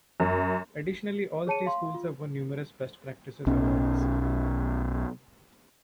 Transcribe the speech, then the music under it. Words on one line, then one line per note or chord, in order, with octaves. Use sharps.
Additionally all three schools have won numerous Best Practices awards.
F#2
G#4 C#5 A5 C#7 D#7
F5 C6
F4
B1 C#4